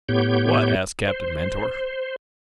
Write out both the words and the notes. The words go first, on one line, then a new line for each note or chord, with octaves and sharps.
"What?" asked Captain Mentor.
A2 B3 G4 C#5 G6
C5